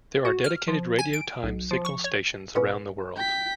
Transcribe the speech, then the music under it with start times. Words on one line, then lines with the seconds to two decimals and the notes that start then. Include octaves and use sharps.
There are dedicated radio time signal stations around the world.
0.25 F#4
0.44 F6
0.68 F3
0.99 G#5
1.13 D7
1.43 B1
1.71 F3
1.85 C#6
2.04 C#5
2.55 A#2 B3 C#4
3.17 G5 B6